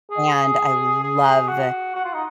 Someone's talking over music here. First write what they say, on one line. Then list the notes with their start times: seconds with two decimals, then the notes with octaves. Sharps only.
and I love
0.11 G#4
1.03 G#4
1.49 F#4
1.95 F#4
2.04 F4
2.14 D#4